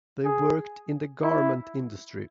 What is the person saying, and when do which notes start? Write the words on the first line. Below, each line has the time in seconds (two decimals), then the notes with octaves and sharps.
They worked in the garment industry.
0.25 G#4
1.23 E4